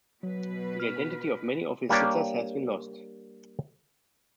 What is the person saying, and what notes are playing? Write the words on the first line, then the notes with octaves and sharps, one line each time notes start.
The identity of many of his sitters has been lost.
B2 F#3 B4
F6
G3 A#3 D4 G4 C#5 D5